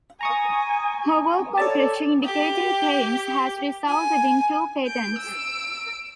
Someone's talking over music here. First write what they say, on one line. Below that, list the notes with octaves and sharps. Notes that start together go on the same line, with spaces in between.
Her work on pressure indicating paints has resulted in two patents.
G#5 A#5 C#6 D#6
A4 C#5 D5 A5
G4
G#5
G6 D7
E6 D7